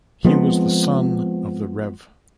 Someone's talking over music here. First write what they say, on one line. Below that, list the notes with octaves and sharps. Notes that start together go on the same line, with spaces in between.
He was the son of the Rev.
F3 G#3 B3 C4